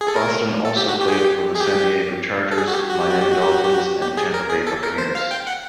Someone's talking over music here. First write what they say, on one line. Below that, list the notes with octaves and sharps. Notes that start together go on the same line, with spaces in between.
Boston also played for the San Diego Chargers, Miami Dolphins, and Tampa Bay Buccaneers.
G#4
A4
A#4
A4
G4
F#4
G4
G#4
G4
G#4
G4
A4
G#4
F#4
G4
F#4
G4
F#4
G4
F#4
G4
F#4
G4
F#4
G4
G#4
A#4
G#4
A4
A#4
C5
F5
G5
F#5